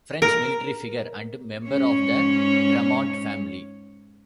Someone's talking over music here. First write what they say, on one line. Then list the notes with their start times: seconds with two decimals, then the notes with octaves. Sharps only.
French military figure and member of the Gramont family.
0.22 A#4
1.67 G#2 C#4 C#5